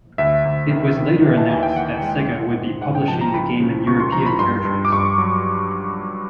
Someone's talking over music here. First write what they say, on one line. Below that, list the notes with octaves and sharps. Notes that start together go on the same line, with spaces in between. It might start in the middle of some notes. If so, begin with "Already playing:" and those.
It was later announced that Sega would be publishing the game in European territories.
D2 E5
D2
D#3
D#3
E3
A5
D#2 G#5
G5
E3 F#5
G#3
G#3
G#2
G#2 F#5
G5
F3 A5
A#5
C#2 B5
C#3
C#2 C#6
C6
F3 A#5
B5
G2 C6
G2
D6
G2 C#6
F#3